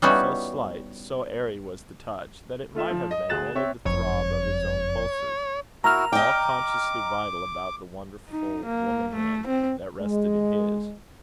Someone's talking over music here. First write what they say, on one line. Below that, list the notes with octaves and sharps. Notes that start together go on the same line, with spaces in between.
So slight, so airy was the touch, that it might have been only the throb of his own pulses, all consciously vital about the wonderful woman-hand that rested in his.
G3 B3 C#4 D#4 E4 F#4
A3 F4 E5 E7
F3
D#5
D2 G#4 F#6 A6 E7
C4 C#5 E5
F#1 F2 C#5
A#3 E4 F#4 A#4 A#5 F6
D#5 G5 D6
D#4
A#3
A3
C4
G#3